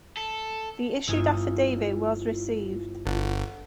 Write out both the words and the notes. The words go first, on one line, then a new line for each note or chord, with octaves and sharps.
The issued affidavit was received.
A4
G1 E4 F4 G#5 D#6
G1 A4 F#5 F#6